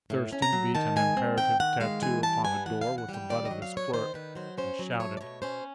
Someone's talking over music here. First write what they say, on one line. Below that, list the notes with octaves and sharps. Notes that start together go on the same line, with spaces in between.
Thurston beat an imperative tattoo upon the door with the butt of his quirt, and shouted.
A2
C#4
A#5
F#3
D#3 A5
G#3 G#5
C4
D#3 G5
D#3 F#5
G#3 F5
E3 G#5
G3 A5
B3 G#5
E3 F#5
F5
E3
F#5
G3
G5
D#3 D5
D#5
F#3
F5
B3 C#5
D#3 C5
D#3 B4
F#3 C5
C#4 C5
F#3
A3 C#5
D5
B2 C#5
C#4 C5